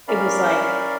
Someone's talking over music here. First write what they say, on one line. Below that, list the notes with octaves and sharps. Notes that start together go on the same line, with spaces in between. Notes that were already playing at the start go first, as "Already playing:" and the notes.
it was like
C#4 A#4 D5 F5 B5